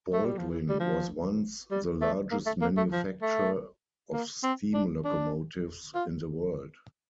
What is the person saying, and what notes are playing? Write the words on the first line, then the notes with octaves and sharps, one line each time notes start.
Baldwin was once the largest manufacturer of steam locomotives in the world.
A3
G3
F3
E3
G3
F3
G3
A3
A#3
A3
A#3
A3
F3
A3
A#3
C4
D4
D4
F4